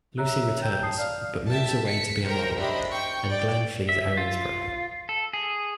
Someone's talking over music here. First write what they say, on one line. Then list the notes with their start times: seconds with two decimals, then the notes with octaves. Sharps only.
Lucy returns, but moves away to be a model and Glen flees Erinsborough.
0.18 C#5 E5 A#5 F#6
0.62 G5
0.82 A5 D#6 C7
0.99 D5 F5
1.49 E5 G5 A5
1.84 B6 C#7
2.25 A#4 C5 G5 A#5
2.57 D4 G4 C5 D#5 E5 B5
2.90 G5 C#6 G6
3.31 D5 G5
3.89 E5
4.17 F4
5.09 A4
5.33 G#4